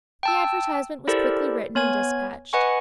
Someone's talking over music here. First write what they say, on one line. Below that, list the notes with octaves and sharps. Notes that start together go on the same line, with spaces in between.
The advertisement was quickly written and despatched.
G5 A5 E6
E4 G4 A4 A#4 C5 D5
B3 C#5 G#5 G#6
B4 D#5 F#5 G#5 B5 C#6